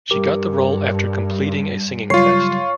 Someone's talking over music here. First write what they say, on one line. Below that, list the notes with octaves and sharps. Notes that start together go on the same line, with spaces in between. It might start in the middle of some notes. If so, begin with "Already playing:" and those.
She got the role after completing a singing test.
G2 G4 A#4 D6
C#3 F#3 G3 F4 C#5 C7